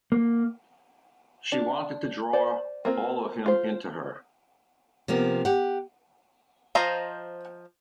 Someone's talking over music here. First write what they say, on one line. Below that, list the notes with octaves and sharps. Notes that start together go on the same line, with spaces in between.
She wanted to draw all of him into her.
A#3
D4
C5 D5
A#3 C4 F4 A#4
F4 C5
C3 F3 A#3 B3
G4 F#5
F3 C5 D#5 A#5